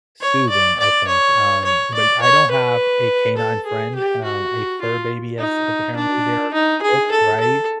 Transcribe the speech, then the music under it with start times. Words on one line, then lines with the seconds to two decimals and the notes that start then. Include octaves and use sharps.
soothing, I think, um, but I don't have a canine friend, uh, a fur baby, as apparently they are called, right?
0.21 C#5
0.49 D5
0.79 D5
1.07 C#5
1.64 C#5
1.94 D5
2.22 C#5
2.51 B4
3.37 A4
3.65 G#4
3.95 G4
4.24 F#4
4.81 F4
5.38 D#4
5.96 D4
6.53 D#4
6.82 G#4
7.11 A4
7.40 A4